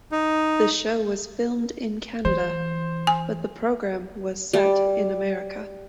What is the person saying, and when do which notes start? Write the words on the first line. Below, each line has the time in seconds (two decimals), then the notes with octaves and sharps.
The show was filmed in Canada, but the program was set in America.
0.12 D#4
2.25 E3 C5
3.07 G#5
4.53 G3